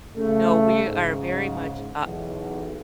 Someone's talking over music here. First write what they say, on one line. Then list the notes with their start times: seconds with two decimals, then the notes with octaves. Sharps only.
No, we are very much up.
0.16 C#3 A3
0.85 G#2 C#3
2.04 B1 E2